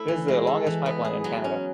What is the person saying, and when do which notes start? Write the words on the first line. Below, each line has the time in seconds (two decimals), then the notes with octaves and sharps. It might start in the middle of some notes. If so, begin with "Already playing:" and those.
It is the longest pipeline in Canada.
Already playing: A3 E4
0.08 E3
0.28 G#3
0.47 A4
0.66 E3
0.86 B3
1.04 G#4
1.24 F#3
1.44 C#4